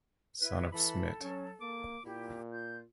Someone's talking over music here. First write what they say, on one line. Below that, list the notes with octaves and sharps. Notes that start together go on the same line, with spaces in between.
Son of Smt.
E4 B4
E3 A4 B5
F#3 C#4
A#3 D6
A#2 E4 G4
F4 G6